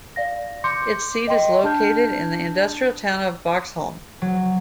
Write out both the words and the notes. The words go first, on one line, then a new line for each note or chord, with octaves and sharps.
Its seat is located in the industrial town of Boxholm.
D5 F5 A#6
C6 D6 G6 C#7
D6
D#5 G5 C6
D4 A5 F6 G6
F#3